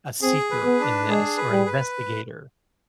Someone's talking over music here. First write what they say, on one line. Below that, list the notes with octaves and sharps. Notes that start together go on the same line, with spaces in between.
a seeker in this, or investigator?
C4 G#4
B4
B3
D4
G#3 G#4
B4
G3
B4